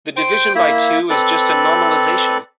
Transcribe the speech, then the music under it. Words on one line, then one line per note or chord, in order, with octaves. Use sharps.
The division by two is just a normalization.
C5 G5
A#3 E4 E5
C4 A4 B4 D5